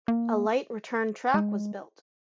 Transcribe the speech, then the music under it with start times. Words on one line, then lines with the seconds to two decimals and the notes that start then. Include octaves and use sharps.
A light return track was built.
0.08 A#3
1.34 G#3